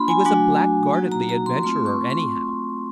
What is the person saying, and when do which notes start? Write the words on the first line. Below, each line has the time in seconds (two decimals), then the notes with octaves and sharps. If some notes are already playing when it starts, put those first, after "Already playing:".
He was a blackguardly adventurer, anyhow.
Already playing: A#3 D4 F4 B5 C6
0.08 G#5
0.25 F#3 A3 D4 F#4 G#5
0.95 F#3 A#3 D#4 F#4
1.12 A#5
1.29 A#5
1.46 C6
1.63 A3 C4 F4 C6
1.86 C#6
2.10 C6